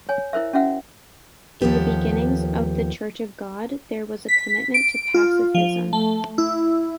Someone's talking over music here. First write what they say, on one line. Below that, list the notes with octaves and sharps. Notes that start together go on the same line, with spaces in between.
In the beginnings of the Church of God, there was a commitment to pacifism.
C#5 G#5
E4 A#4 C5 E5
C#4 F#4 E5 F#5
D#2 F3 B3 G4 A4
B6
D7
F4
F3
A3
E4